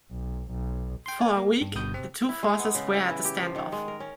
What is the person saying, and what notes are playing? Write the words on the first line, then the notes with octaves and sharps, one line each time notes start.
For a week the two forces were at a standoff.
B1
B1
G5 C6
D5 G#5
A#3
G2
G1 G2 B2 D#6 G6
C3 C4
E4
G#3
B3
C#3
E4
E3
G4
F3
D#3
G#3
A#4
C#4